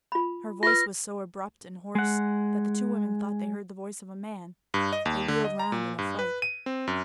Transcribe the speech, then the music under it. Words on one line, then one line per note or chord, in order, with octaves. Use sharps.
Her voice was so abrupt and hoarse that the two women thought they heard the voice of a man; they wheeled round in affright.
F4 B5
F4 B4 A#6
G#3 F#5
G2
D#5
D#2
D3
D#5
A#5
A#2
G2
B4
D#7
C4
F#2